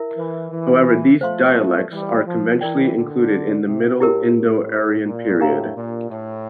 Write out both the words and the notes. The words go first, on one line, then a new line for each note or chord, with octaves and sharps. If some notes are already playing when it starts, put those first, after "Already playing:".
However, these dialects are conventionally included in the Middle Indo-Aryan period.
Already playing: E4 A#4 E5
E3
E3
F3 A3 C5 F5 C6
E3 G3
F3
E3 E4 A#4 D5 G5
D3
C3
A2 E4 G4 A#4
A2
A#2
A2 D4 G4 A#4 F5 A#5
A#2
A2